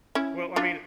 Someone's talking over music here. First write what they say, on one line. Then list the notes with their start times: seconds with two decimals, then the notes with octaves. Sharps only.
Well, I mean, eh
0.15 C#4 E4
0.56 D4 F4